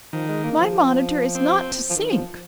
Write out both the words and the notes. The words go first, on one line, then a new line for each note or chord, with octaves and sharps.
"My monitor is not to sink!"
D#3 F3
G#3
A#3
F3
C4
F3
D#3
F3